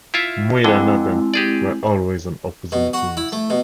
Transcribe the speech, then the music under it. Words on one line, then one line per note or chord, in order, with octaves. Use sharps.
Muir and Norden were always on opposing teams.
E4 F4 E5
F2 D3 G#3 C4 E4
G4 G#4 D5
B2
F#4
E4
A3
B2